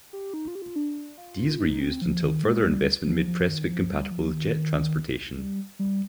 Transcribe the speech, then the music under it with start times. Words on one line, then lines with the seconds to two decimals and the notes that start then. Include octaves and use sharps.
These were used until further investment made Prestwick compatible with jet transportation.
0.13 G4
0.34 D#4
0.48 F4
0.55 G4
0.62 F4
0.76 D4
1.18 F4
1.60 D#4
1.81 C4
2.02 F3
2.23 D#3
2.43 G#3
2.65 G3
3.07 F3
3.27 F3
3.49 D#3
3.70 F3
3.90 G3
4.11 F3
4.32 D#3
5.38 G3
5.79 G3